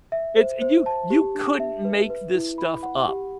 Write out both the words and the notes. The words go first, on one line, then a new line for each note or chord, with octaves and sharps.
it's you you couldn't make this stuff up.
E5
C5
C5
A5
G4
D4
E5
B4
B4
E4
B5
F#5
G4